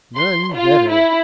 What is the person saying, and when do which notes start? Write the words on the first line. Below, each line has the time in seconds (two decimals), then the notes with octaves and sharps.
None better.
0.16 C6
0.54 F4
0.90 E4